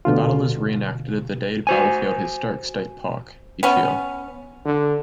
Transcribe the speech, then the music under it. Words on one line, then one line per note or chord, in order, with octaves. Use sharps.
The battle is re-enacted at the Dade Battlefield Historic State Park each year.
D2 B2 D3 F4
F#4 C5 G#5
B3 C#4
D3